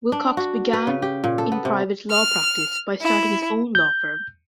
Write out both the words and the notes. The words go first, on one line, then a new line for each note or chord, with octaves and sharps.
Wilcox began in private law practice by starting his own law firm.
D4
F#4
B4
C#3
G4
A#2
A4
B3
C3
F6
E4
G6